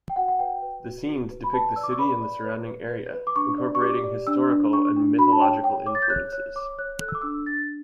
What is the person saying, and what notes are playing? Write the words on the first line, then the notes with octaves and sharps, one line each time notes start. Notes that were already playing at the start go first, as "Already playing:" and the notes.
The scenes depict the city and the surrounding area, incorporating historical and mythological influences.
G5
F#4 F#5
F#5
B4 G5
B4
F#4
F#4
B4
B5
B4 A5
D5 E6
D6
C#6
B4 B5
D5
B4
B4
B4
B4
D6
D4 C#6
D5
C#6
G4 D6
D5
D4 E6
D4
D4 C#6
D4
F#4 B5
A5
C#5 G5
C#5 G5
C#5 D6
A6
G6
C#5 F#6
C#5 F#6
C#5 D6
C#5 F#6
A4 F#6
E6
D6
D4 E6
D4 A6